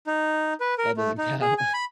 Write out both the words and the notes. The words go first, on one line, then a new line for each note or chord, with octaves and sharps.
that doesn't count.
D#4
B4
A#4
A3
D#4
G#4
G#5
B5